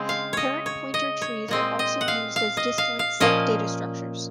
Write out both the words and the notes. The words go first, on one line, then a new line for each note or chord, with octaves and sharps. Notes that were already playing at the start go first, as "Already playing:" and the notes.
Parent pointer trees are also used as disjoint-set data structures.
Already playing: C#3 G#3 C4
F5
C#5 D#5
C#5
D#5
C#5
A#2 G#3 C4 D#5
D#5
F#5
F5
F5
D#5
F5
F5
A#2 F3 A#3 C#4 D#5